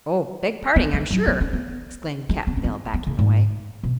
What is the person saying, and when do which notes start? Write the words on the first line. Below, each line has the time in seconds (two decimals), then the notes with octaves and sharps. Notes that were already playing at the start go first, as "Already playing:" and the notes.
"Oh; beg parding, I'm sure!" exclaimed Cap'n Bill backing away.
0.76 B3
0.93 G#3
1.11 F#3
1.27 B3
1.41 C#4
1.53 B3
2.29 G#3
2.47 B3
2.57 C#4
2.64 B3
2.94 B3
3.07 C#3
3.19 G#2
3.83 B2